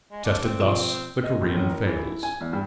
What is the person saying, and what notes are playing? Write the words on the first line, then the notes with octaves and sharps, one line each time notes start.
Tested thus, the Korean fails.
G#3
D4 D#5 F5
C4
B2 F3 F4
D#5
A#1
A1
A#4
E3
E4
G#5
E2
G2